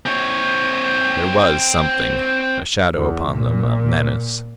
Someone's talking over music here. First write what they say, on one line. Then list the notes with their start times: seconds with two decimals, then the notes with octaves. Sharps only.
There WAS something--a shadow upon them, a menace.
0.06 C4 C#5
2.96 E2
3.32 A#2